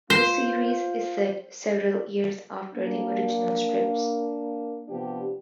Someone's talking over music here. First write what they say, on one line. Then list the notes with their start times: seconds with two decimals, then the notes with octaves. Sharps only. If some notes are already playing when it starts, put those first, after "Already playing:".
The series is set several years after the original strips.
0.10 F4 C5
2.74 A#3 D4
4.88 C3 F3 B3 D4 G4